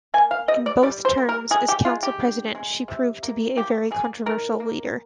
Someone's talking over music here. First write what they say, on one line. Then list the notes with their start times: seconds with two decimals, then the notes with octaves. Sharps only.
In both terms as council president, she proved to be a very controversial leader.
0.14 A#3 G#5
0.31 F5
0.48 G3 D#5
0.66 D5
0.83 G3 D5
1.05 C5
1.17 A#3
1.29 A#4
1.51 G#3 G#4
1.69 G4
1.85 G#3 F4
2.03 G4
2.20 D3
2.55 G#3
2.88 C3
3.23 A#3
3.57 A#3 G4
3.91 A#3 G#4
4.26 D#3 A#4
4.60 A#3